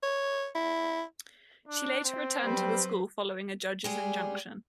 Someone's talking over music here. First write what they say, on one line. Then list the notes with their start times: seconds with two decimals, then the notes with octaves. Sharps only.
She later returned to the school following a judge's injunction.
0.03 C#5
0.55 E4
1.68 D4
2.04 C4
2.45 F#3 G3 B4 C5
3.84 G3 G#3 G#4